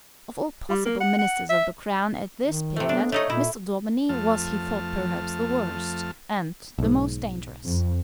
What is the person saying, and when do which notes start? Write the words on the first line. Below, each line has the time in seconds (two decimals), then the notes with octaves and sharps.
Of all possible Ministers of the Crown at this period, Mr. Daubeny was he thought perhaps the worst, and the most dangerous.
0.70 G3
0.85 A#3
1.01 F#5
1.18 F#5
1.50 E5
2.44 D#3
2.76 C3 A3
2.89 B3 D4
3.12 A3 D#4 C#5 D#5
3.30 A#2 E4
4.09 F2 F3 A3 A5 F6
6.79 B1 G#2
7.66 F2